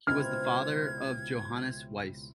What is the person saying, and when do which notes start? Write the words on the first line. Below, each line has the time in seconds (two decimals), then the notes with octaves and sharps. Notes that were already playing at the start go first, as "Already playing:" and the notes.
He was the father of Johannes Weiss.
0.07 C#2 B2 C4 E4 F6 G#6